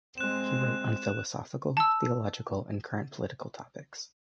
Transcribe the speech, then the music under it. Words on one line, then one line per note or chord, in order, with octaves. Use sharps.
He wrote on philosophical, theological and current political topics.
G#3 C4 F#6 E7
A5 E6